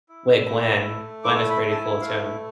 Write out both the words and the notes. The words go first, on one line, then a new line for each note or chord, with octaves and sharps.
with Gwen. Gwen is pretty cool too.
E4
A3
A3
E4 D6
B5
E4
A5
G#5
A3 F5